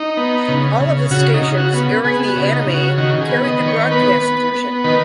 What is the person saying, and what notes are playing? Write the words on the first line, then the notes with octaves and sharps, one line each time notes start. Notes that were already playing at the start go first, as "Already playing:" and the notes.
All of the stations airing the anime carried the broadcast version.
Already playing: D#4
B3
C#3
C#3
C#3 F#4
D#4
C#3
F#4
B3
B3 G#4
F#4
C#3
D#4
C#3
F#4
D#3 F#4
G#4
B3
D#5
D#3
C#5
B3 B4
B3
B3
D#3 B4